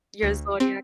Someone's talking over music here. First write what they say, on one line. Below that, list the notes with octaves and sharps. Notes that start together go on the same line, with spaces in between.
Your zodiac
D2
C4